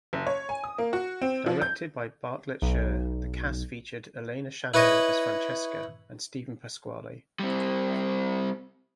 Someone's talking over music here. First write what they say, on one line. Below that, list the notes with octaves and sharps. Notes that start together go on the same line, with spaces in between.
Directed by Bartlett Sher, the cast featured Elena Shaddow as Francesca and Steven Pasquale.
F#1
C#5
G#5
D#6
A#3
F#4
C4
F3
G6
B1
E4 B4 C#5 D#5
G3 C4